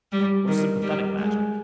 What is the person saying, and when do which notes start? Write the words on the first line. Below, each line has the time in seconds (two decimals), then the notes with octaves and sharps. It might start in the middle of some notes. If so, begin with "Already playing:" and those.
"Or sympathetic magic?"
0.12 G3
0.47 D#3
0.82 G3
1.18 G#3